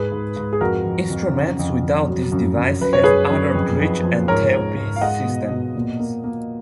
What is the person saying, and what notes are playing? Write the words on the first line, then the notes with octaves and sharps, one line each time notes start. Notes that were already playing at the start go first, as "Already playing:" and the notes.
Instruments without this device have other bridge and tailpiece systems.
Already playing: G#2 G#4 B4
G#2
G#2
G#4
F2 F#4 A#4
F2
F2
C#3
F2
F2
F#3
F#2
F#2
F#2 B4
C#5
F#2 G#4 B4
F#2
F2
F2
F3
G#2 A#4 C#5
G#2
G#2
F5
G#3 D#5 F#5
B2
B2
A#2
A#3
A#3